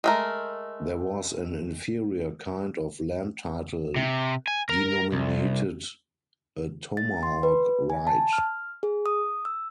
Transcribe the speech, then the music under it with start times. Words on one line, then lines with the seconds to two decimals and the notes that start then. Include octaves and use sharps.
There was an inferior kind of land title denominated a tomahawk right.
0.04 G#3 A3 A#4
3.96 C3
4.48 G#5
4.69 A#4
5.12 C2
6.97 A6
7.23 C6
7.43 B4
7.90 G#5
8.07 A5
8.33 F6
8.83 G#4
9.06 D#6
9.45 E6